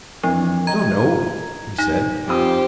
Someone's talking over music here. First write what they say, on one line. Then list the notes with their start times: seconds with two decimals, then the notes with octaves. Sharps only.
"I don't know," he said.
0.23 F2 E3 F3 D4
0.67 D#5 G5 A#5 G#6
1.78 D#4 A#6
2.27 F2 F4 G4 C5 D#6